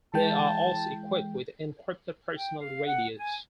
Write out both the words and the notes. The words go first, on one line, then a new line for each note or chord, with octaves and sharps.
They are also equipped with encrypted personal radios.
E3 G#3 G5 A5
G5
F5
F#5
G#5